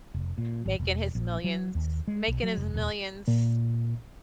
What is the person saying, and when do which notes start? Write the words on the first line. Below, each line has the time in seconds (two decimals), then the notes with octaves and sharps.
Making his millions. Making his millions.
0.14 F1
0.38 A#2
0.66 G#1
0.79 E1
1.15 A#1
1.44 F#3
1.75 D#2
2.08 G#3
2.28 B1
2.43 F#3
2.57 F1
2.74 D#1
3.28 A#2